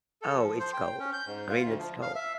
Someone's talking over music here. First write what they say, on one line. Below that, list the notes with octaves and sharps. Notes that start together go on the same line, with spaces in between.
Oh, it's cold. I mean, it's cold.
A4
F3
C5
G5
C#4
G6
G#2
F4
D2
F3
F5
E5